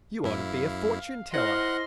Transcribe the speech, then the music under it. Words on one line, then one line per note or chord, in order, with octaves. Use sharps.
"You ought to be a fortune teller."
F#2 E4 F5
E4 C5 D#5 F#5 C6 F6 A#6